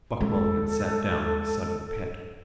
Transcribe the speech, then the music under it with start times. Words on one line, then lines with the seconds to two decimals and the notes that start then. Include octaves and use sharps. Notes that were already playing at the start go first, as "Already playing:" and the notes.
Buck Mulligan sat down in a sudden pet.
0.21 G#3 A4